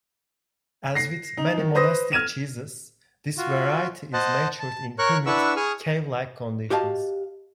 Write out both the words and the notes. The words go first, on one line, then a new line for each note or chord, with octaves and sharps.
As with many monastic cheeses, this variety is matured in humid cave-like conditions.
A#6 C7
D#4
D#3
B4 C5 D#6 A#6
F6 G#6 D#7 E7
F4 F#4
C5 D#5 F#5 A5
A5
A#4 C#5 C#6 F#6
D4 E4 B4 F#5 C#6 E6
G#4 C#6 D#6 F6
F#4 G4 D#5 F5 G#5 A5